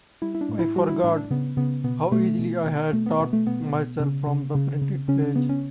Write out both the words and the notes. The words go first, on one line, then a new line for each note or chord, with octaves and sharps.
I forgot how easily I had taught myself from the printed page.
G3 E4
E4
D4
A2
E4
G3 F#4
E4
A2 D4
D4
C#3 B3
C#3 B3
B2 B3
B2 A3
B2
B2
B2 A3
B3
B2 B3
A3
B2 B3
B2
C#3
C#3
C#3
C#3
C#3 C#4
D4
C#3 B3
C#4